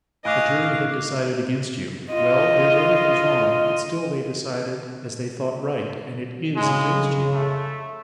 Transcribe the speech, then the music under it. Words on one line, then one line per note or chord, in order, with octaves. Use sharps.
A jury had decided against you; well, their verdict is wrong, but still they decided as they thought right, and it IS against you.
A2 D#5 F5 G#5 D6 F#6 D7
F4 D#5
C#3 G#3
A3